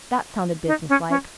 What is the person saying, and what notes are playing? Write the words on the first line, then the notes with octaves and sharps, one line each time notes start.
That sounded business-like.
D#4
C#4
C#4